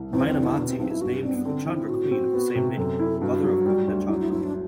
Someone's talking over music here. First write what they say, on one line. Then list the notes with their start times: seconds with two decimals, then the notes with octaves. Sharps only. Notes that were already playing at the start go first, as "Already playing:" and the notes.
Mainamati is named for the Chandra queen of the same name, mother of Govindachandra.
Already playing: C2
0.13 E2 C4
0.27 C4
0.35 D3
0.43 E4
0.57 B2 D4
0.68 C4
0.79 B1 C4
0.90 E4
1.01 G2 F#4
1.23 C4 D4
1.35 B3
1.45 D3 C4
1.67 C4 E4
1.89 A2 F#4
2.11 C4
2.33 B3
2.55 C3
2.77 F#2 A4
2.99 E4
3.22 G2 F#4
3.44 F#3
3.66 G3
3.87 D2
4.09 F#3 E4
4.20 E4
4.32 G1 E4
4.43 D4